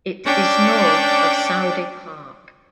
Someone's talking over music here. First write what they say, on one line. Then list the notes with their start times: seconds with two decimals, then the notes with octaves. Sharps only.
It is north of Saude Park.
0.25 C#4 D4 D5 G5